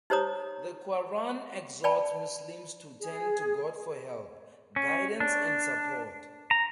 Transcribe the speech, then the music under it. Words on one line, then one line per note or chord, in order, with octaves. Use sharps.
The Qur'an exhorts Muslims to turn to God for help, guidance and support.
D#4 G4 C5 C#5 A#5 D#6
D5 G5 A5 B5
G#4
C#4
D4
A#5